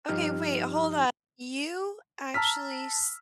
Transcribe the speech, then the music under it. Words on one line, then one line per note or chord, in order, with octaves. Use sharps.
Okay, wait, hold on. You actually s
G2 F3 D#4 G4 F6
A5 A#5 E6 F6 B6